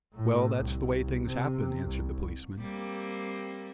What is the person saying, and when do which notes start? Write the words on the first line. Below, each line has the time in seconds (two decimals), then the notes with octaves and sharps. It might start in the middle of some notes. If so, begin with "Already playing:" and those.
"Well, that's the way things happen," answered the policeman.
0.14 A2
0.60 C2
1.27 C3
1.83 C2
2.60 G3 A#3 C4